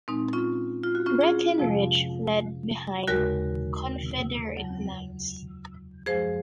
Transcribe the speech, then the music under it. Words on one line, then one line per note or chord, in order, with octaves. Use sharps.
Breckinridge fled behind Confederate lines.
A#2 G#3 C4 D#4
C#4 F4
F4
F#4
C#4 F4
F4 G#4
F2 C3 F3 G#3
D#2 C#3 G#3 F#4 A#4
F2 C#3 F#3
F#2 F3 G#3 G#4 C5